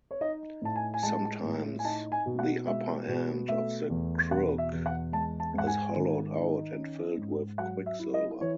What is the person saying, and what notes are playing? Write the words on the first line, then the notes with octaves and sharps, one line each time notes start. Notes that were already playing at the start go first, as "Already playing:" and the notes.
Sometimes the upper end of the crook is hollowed out and filled with quicksilver.
C#5
D#4 D#5
A2 A5
G#5
G#5
G#3 A5
A2
G#5
D#4 A5
G#5
B2
F#5
G#3 E5
B2
A3 E5
E2
B2 F#5
E5
E2
F#5
G#3 A5
A5
G#2 F#5
G#5
D#3
D#4
C#4
G#2
F#3 F#5
E5
E4
D#5
E3 C#5